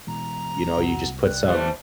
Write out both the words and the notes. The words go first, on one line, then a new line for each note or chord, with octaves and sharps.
you know, you just put some
B2 E3 G#3 A#5
C2 F#3 F#4
G3 F#6
E3 G3 A3 C5